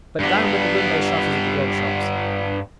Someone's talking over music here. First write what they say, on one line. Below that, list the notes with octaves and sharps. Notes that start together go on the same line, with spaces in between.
But down with the window-shutters of the grog shops.
G2 B3